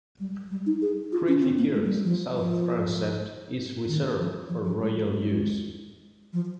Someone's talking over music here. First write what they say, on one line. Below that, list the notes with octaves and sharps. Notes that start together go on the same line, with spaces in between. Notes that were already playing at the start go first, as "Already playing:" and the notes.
Crathie Kirk's south transept is reserved for royal use.
G3
G3
D#4
G#4
F4
C#4
C4
A#3
G#3
F3
G3
F3
F3
D#3
F3
F3
F3
G#3
G#3
F3